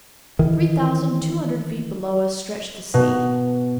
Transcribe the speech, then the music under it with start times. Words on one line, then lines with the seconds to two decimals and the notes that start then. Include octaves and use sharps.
Three thousand two hundred feet below us stretched the sea.
0.39 D#3 E3
2.94 B2